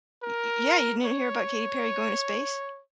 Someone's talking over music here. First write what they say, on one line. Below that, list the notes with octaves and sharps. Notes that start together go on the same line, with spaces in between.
Y y yeah, you didn't hear about Katy Perry going to space?
A#4
C#5